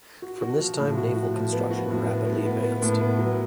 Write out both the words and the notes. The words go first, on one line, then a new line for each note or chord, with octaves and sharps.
From this time naval construction rapidly advanced.
F#4
F#4
F3
A2
F#4
F#4
F3
B3
F#4
A2
B3
B3
B3
B3
A2
B3
F#3